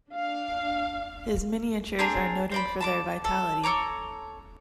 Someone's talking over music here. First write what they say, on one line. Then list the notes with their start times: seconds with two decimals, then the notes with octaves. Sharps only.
His miniatures are noted for their vitality.
0.11 D4 F5
1.99 C4 D4 G#4 A#4
2.52 C5 D5 B5
2.81 A5 B5 D6
3.25 A4
3.64 A4 C#5 A#5 D6